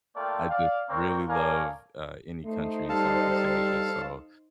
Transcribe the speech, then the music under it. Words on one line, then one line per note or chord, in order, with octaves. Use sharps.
I just really love, uh, any country in Southeast Asia. So,
A3 A#3 F4 A4 D5 G5
D5 F5
A#3 C4 A#4 C#5 D5 C#6
A4 A#4 C#5 D5 F5 G#5
A3 D#4 C5
G3 A4 F5 A5